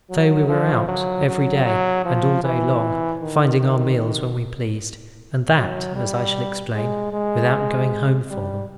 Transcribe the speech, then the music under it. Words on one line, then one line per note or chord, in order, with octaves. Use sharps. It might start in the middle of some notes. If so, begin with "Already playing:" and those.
So we were out every day and all day long, finding our meals when we pleased, and that, as I shall explain, without going home for them.
F#3
F3
F#3
F#3
F#3
F3
E3
D#3
D#3
F#3
G3
G#3
G#3
G3